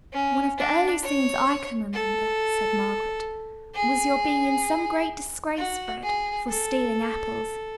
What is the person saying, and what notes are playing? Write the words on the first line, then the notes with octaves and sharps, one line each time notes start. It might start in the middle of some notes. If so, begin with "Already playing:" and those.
'One of the earliest things I can remember,' said Margaret, 'was your being in some great disgrace, Fred, for stealing apples.
C#4
D4
C#5
A4
G#4
F#4
G#4
A4